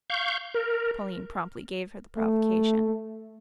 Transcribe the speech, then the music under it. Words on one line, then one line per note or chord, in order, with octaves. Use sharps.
Pauline promptly gave her the provocation.
F5 C#6 G6
A#4
A3